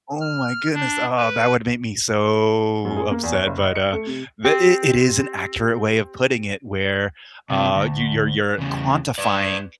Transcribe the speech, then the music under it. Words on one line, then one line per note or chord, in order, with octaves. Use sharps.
Oh my goodness, ah, that would make me so upset, but, uh, the it it is an accurate way of putting it where, uh, you you're you're quantifying
F6
D4
B4
F#2
G#4
A#3
E2
C#5
F#1
D#5
C#7
A3
C3
C4 G4
C3 F3
D2
E2 C#3
B4 D5